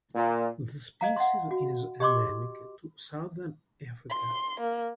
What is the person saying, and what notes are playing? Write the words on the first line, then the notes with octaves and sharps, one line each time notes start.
The species is endemic to Southern Africa.
A#2
D#5 F5 A#5
F#5 C6
F#4
G4 D#5 C6 D6
C6
A#3